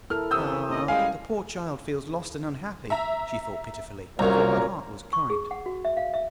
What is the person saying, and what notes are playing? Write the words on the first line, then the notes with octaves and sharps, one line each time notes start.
'Ah! the poor child feels lost and unhappy,' she thought pitifully, for her heart was kind.
E4 A4 A#4 F6
C3 E3 D#6 E6 G6
D#2 C#4 D#5
G3 G#3 F5 G#5
E5 A#5
C2 F#2 A#2 A#4 C#5 A#5
C#6
G#4
F#5
F#4
E5
F5
E5